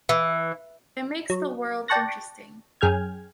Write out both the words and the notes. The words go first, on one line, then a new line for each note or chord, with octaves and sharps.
It makes the world interesting.
E3
F#3
D5 G5 A5 C#6 F#6 A#6
F#2 G#4 G5 F6 G#6